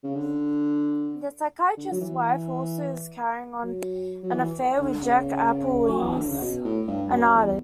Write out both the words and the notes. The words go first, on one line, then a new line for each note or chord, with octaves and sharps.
The psychiatrist's wife also is carrying on an affair with Jac Applezweig, an artist.
C#3
D3
D3
F#3
E3
F#3
F#3
E3
D3
C#3
F#3
E3
D3
C#3
B2
A2
G2
F#2
E2